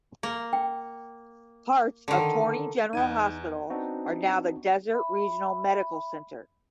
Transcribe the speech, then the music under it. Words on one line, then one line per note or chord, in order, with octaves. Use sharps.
Parts of Torney General Hospital are now the Desert Regional Medical Center.
A#3
G5
D3 D#3
E2 D#4 G#6 D#7
B3 C4 D4 D#4 F#4
E5 B5